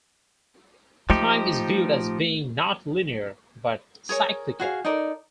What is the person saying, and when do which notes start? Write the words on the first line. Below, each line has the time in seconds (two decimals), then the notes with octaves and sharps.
Time is viewed as being not linear but cyclical.
1.10 F3 A3 D#4 G4
4.09 G#4 A#4 C#5
4.60 F#4 G#4 F5
4.85 D#4 A4 A#4 D5